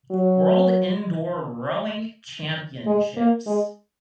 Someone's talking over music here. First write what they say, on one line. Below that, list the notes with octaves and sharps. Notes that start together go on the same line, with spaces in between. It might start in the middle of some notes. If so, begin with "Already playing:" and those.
World Indoor Rowing Championships.
F#3
G#3
A#3
G#3